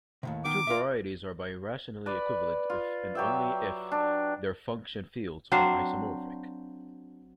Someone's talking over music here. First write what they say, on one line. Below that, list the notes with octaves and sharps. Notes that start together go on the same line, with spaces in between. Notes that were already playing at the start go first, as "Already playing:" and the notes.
Two varieties are birationally equivalent if and only if their function fields are isomorphic.
D#2 A2 C3
D#3 B3 D6
F4 E5
B4 D5
F4
F#3 G4 E5
D4
F#3 C4 D4 F5